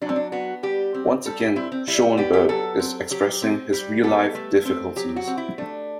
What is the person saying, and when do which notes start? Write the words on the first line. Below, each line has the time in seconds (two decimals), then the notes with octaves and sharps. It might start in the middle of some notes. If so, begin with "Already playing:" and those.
Once again, Schoenberg is expressing his real life difficulties.
0.01 F#3 D4
0.09 C4
0.16 D4
0.32 B3 F#4
0.63 G3 G4
0.94 C4
1.25 G3 A4
1.40 G4
1.56 C4 E4
1.72 C4
1.87 G3 E4
2.02 F#4
2.17 B3 G4
2.33 G4
2.49 F#3 A4
2.79 C4
3.11 F#3 G4
3.42 C4
3.72 G3 G4
4.03 B3 A4
4.35 A3
4.65 C4
4.96 F#3 G4
5.16 F#4
5.27 C4
5.38 E4
5.58 A3 D4